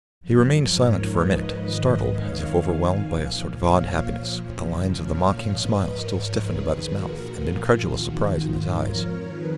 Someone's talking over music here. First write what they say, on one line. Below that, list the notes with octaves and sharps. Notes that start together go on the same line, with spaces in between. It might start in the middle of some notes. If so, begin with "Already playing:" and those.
He remained silent for a minute, startled, as if overwhelmed by a sort of awed happiness, with the lines of the mocking smile still stiffened about his mouth, and incredulous surprise in his eyes.
F#2 F3
G#2 F3 A#4 C#5
G#2 F3 B4 D#5
G#2 D#3 B4 D#5
F2 D#3 C#5 F5
F2 D#3 F5 G#5
A#2 F3
A#2 F3 C#5 F5
A#2 F3
F2 C#3 F3
A#2 F3 C#5 F5
G#2 F3 B4 D#5
G#2 F3 A#4 C#5
F2 D#3 G#4 B4
A#2 F3 F#4 A#4
A#2 F3 F4 G#4
F2 D#3 F#4
G#2 D#3 F4
F2 F3 A#4 C#5
F2 D#3 G#4 B4